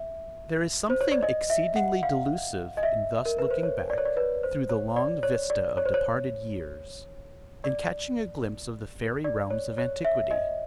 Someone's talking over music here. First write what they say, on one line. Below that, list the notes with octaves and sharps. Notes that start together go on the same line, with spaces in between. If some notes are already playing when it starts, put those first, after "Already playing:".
There is something exceedingly delusive in thus looking back, through the long vista of departed years, and catching a glimpse of the fairy realms of antiquity.
Already playing: E5
C5
C#5
D5
D#5
E5
F#5
F5
D#5
E5
A#4
B4
C5
C#5
D5
C#5
D5
B4
C5
C#5
D5
C#5
D5
C#5
C5
C#5
D5
D5
C#5
C#5
E5
D#5